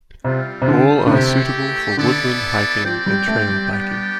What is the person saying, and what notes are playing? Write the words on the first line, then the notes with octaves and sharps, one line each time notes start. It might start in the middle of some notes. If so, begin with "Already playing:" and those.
All are suitable for woodland hiking and trail biking.
C3 G3 C4 F4
C3
D3
D3
C3 A3 E4 G4
D3 B3 E4 A4 D5
F3 C4 G4 D5 G5
G3
A3
G3
B3 D4 G4 D5 G5